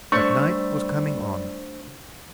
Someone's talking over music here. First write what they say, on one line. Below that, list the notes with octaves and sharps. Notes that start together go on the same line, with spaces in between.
But night was coming on.
G3 A3 D4 C5 C#6